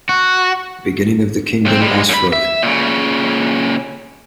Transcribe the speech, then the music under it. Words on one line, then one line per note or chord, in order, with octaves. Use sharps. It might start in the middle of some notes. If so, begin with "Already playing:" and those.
Beginning of the kingdom Osroene.
F#4
B1 C4
G3 G#3
F#2 B5
E5
A#2 C#3